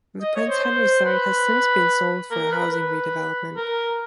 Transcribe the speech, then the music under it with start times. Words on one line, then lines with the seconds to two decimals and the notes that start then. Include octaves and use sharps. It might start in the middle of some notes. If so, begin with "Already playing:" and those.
The Prince Henry site has since been sold for a housing redevelopment.
0.22 D#5
0.36 C#5
0.50 C5
0.63 C5
1.05 B4
2.31 A#4
2.52 B4
2.73 B4
3.56 A#4